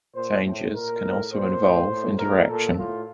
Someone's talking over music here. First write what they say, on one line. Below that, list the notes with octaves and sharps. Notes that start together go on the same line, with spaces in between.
Changes can also involve interaction.
A#2 C5
A2
A#2 A#4
A2
A#2 C5
A2
A2
A2 A#4
A#2 A4
A2 F4